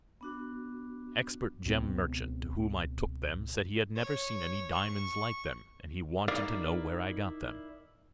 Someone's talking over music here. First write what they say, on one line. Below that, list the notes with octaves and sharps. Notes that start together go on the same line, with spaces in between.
An expert gem merchant, to whom I took them, said he had never seen any diamonds like them, and he wanted to know where I got them.
B3 D4 F#4
C#2 B2 B3 C4
C#5
C#6
D#4 E4 A#4 D5 F5